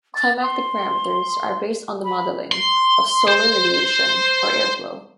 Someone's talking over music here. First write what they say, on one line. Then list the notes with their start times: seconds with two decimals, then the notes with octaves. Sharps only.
Climatic parameters are based on the modelling of solar radiation or air flow.
0.16 A6
0.42 C6
2.04 B5
2.52 C6
3.28 C5